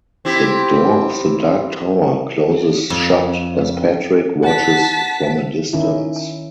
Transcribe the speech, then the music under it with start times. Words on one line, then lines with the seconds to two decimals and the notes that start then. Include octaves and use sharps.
The door of the Dark Tower closes shut as Patrick watches from a distance.
0.25 C4 E4 G4
2.90 F2
4.43 F#5 A5 B6
5.73 D#3 C#4 D#4 E4